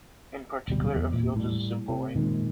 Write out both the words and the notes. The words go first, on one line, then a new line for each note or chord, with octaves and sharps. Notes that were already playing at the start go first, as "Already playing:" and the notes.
In particular, a field is a simple ring.
D1 B2 G3
E2
A#2
A2 G3
C3
A#2 D#3 G3 G#3